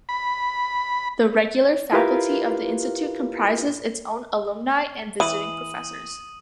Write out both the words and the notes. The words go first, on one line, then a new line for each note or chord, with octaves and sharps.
The regular faculty of the institute comprises its own alumni and visiting professors.
B5
E4 F4 G4 A#4 B4 F5
E3 D#6 D#7 F#7